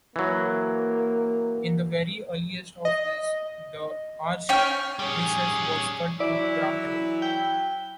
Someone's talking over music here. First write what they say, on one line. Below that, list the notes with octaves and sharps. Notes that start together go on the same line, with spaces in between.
In the very earliest of these, the arched recess was cut to ground level.
E3 F#3 A#3
D#5
C#4 G5 C#6 F6
G3 C#4 G#4
E3 F#3 E4 D5
G5